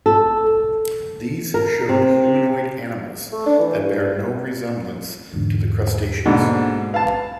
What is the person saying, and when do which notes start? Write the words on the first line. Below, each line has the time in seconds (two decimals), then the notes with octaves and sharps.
These showed humanoid animals that bear no resemblance to the crustaceans.
0.06 A4
1.54 A#4
1.89 C3
3.32 A3
3.46 D4
3.59 E3
3.79 G2
5.33 E2 G#2 D3
6.26 G#2 B2 D3 G#3 A#3 D4
6.94 B4 F5 A5